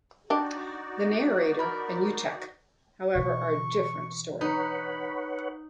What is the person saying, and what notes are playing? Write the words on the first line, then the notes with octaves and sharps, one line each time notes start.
The narrator and Utch, however, are a different story.
D4 D#4 F#4 G4 D5 D#5 A5
A#4 B5
B2 E3 C#6
D#4 B4 C#5 F#5 B5